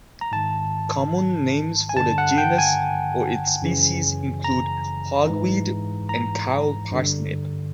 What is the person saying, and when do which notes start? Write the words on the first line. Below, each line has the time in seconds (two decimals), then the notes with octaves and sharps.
Common names for the genus or its species include hogweed and cow parsnip.
0.21 A#5
0.32 G#2 D#3 A5
1.89 G#5
1.97 G2 D3 A5
2.18 F#5
2.38 G5
2.58 G#5
3.62 F#2 C#3 E3
4.44 A#5
5.26 G#2 E3
6.09 A#5
6.91 G2 D3